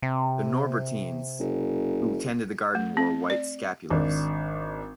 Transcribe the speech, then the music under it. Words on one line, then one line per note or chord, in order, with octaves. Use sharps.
The Norbertines who tended the garden wore white scapulars.
C3
F#1
A3
C4
D5
G#1 D4